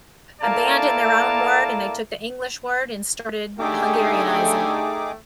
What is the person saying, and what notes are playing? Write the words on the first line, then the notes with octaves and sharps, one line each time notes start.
abandoned their own word, and they took the English word, and started Hungarianizing.
A#3 E4 A4 A#4 D5 A5
D3 A3 D#4 G4 G#4 G5 G#5 D6